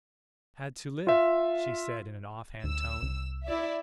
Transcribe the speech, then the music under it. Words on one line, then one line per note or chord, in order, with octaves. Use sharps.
"I had to live," she said in an off-hand tone.
F4 E5
D2 E6
C2
E4 D5 E5